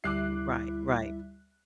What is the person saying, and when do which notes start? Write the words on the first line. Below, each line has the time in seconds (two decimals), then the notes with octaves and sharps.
Right. Right.
0.04 D2 G3 E4 E5 D6 F#6 C7